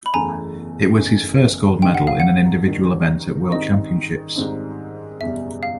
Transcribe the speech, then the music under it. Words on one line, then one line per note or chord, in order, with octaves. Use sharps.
It was his first gold medal in an individual event at world championships.
B5
F#1 E2 C#3 E3 A3 G#5 A#5
F#1 E2 C#3 E3 A3
G2 D#3 G3 G5
F#5
F5
F#5
G2 D#3 G3
G#2 D#3 G3 C4 D#4 D#5
G#2 D#3 G3 C4 D#4
F#1 E2 B2 G3 E5
F5